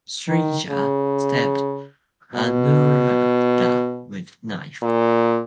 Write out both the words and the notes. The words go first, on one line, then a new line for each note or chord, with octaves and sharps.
Sreeja stabbed Anuradha with knife.
D#3
C#3
B2
A#2